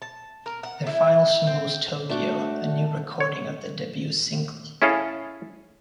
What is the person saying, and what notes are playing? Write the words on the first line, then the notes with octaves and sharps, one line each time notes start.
Their final single was "Tokyo", a new recording of their debut single.
A5
A#4
F#5
E4
C4
A3 D4 F#4
C#5
C#4 E4 G#4 A4 F5